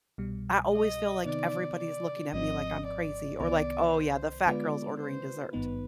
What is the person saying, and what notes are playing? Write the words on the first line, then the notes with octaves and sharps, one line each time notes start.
I always feel like everybody's looking at me, like, I'm crazy or like, "Oh, yeah. The fat girl's ordering dessert."
C2 B2 G3
D#5
C3 D#3 B3 D#4 D5
D5
G#1 G#2 F3 C4 D#5
D5
C2 C3 D#3 B3 D5
C5
D3 G#3 B3 F4 B4 D5
C5
G#1 G2 D#3 B3 D#4 B4